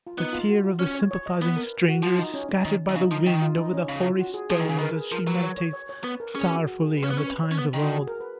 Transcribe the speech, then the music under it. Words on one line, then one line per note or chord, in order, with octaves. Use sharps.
The tear of the sympathising stranger is scattered by the wind over the hoary stones as she meditates sorrowfully on the times of old!
F4
B3 D#4
F4
F#4
F4
C#4 C#5
C#5
C#5
D#5
B3 B4
A#4
F#4
F3 F4
D#4
C#4
C#4
D#3
D#3
C#3 D#4
F3 D#4
D#3 D#4
F4
D#4
C#4
C#3
F4
F#4
G#4
F3 G#4
D#3
C#3 G#4
D#3 A#4 B4
G#4
F3 A#4
F#3 B4
C#5
C#5
C#5
C#5
B3 B4
A#4
C#4 G#4
F#4
F#4
G#4
B4
C#4
B3 B4
C#4
B4
C#5
C#4
B3
D#3
F#4
G#4
A#4
B4